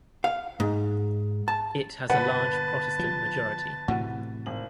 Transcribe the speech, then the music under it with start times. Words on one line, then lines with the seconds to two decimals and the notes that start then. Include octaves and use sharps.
It has a large Protestant majority.
0.24 F5
0.60 G#2
1.48 A5
2.10 G1 A#2 B4 F#5 A5
2.99 F3
3.88 A2 C3 E3 F#4
4.46 G#1 F#7